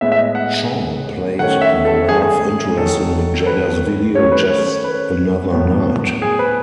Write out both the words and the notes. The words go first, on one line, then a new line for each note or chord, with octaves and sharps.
Chong played the love interest in Mick Jagger's video "Just Another Night".
A2 G#3 B3 E5
E5
D#5
F#5
D#3 A3 C#4 F#5
E5
A4
G#4
G#4
D#3 F#3 A3 A4
A4
B4
D#3 A3 C#4 C#5
B4
C#5
C#5
B4
A2 F#3 B3
G#4
B4